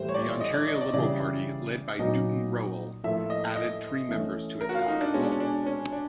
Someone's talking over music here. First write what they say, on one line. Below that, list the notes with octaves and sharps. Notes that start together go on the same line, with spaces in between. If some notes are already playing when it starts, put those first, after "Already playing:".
The Ontario Liberal Party, led by Newton Rowell, added three members to its caucus.
Already playing: A2 E3 G3 C5
C#5
D5
D#5
D5
D#5
D5
D#5
C#3 E3 G3 D5
A#2 F#3 B3 D#4 D#5
A2 F3 A#3 E5
D#5
D#5
E3 A3 C#4
A#4
F#4
F4
D#4
D4
B2 G#3 B3 C#4
D4
C#4
D4
C#4
D4